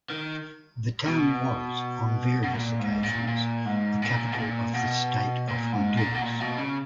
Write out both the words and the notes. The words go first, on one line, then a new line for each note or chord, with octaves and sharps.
The town was on various occasions the capital of the State of Honduras.
D#3
B2
B2
A#2
G#2
A#2
A#2
G#2
A#2
B2
A#2
B2
A#2
G#2
A#2
B2
A#2
B2
C#3